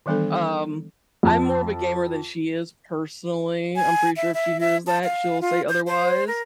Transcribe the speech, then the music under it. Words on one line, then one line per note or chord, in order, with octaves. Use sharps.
Um, I'm more of a gamer than she is personally, I'm pretty sure if she hears that, she'll say otherwise.
D#3 E3 G3 B3 D4 A4
F2 A5
G#5
E5
E5
E5
A5
F5
F4
G6
C5
A#4